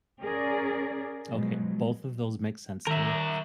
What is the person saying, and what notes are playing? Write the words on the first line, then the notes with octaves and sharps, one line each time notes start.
Okay, both of those make sense to me
C#4 G#4 A#4 D5
B2 F3 F#3 G#3
D#3 A#4 E5